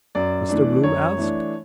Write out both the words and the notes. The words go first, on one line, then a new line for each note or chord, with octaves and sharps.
Mr Bloom asked.
F#2 D5
E3 A3 D4
F#2 C#5
E3 A3 D4